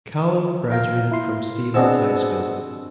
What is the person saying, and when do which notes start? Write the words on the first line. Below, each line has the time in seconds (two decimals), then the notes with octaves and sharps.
Callum graduated from Stevens High School.
0.70 A#4 F5 G5
1.11 E4 C6
1.74 B2 B3 C4 D4 G#4 E6